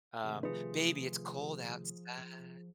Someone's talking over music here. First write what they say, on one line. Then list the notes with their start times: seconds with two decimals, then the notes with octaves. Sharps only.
um, baby, it's cold outside.
0.24 C3 D#3 A3
0.43 F3 F4 G#4 B4